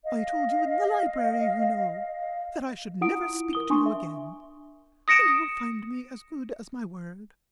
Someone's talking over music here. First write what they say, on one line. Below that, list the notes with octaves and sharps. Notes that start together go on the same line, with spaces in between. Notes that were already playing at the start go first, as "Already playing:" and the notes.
I told you in the library, you know, that I should never speak to you again, and you will find me as good as my word.
D#5 F5
E4 F4 F#5 D#6 D7
A#4 D#6 G7
D4 G#5 C6 C#6
E5
D#6 A#6 C#7 D7 E7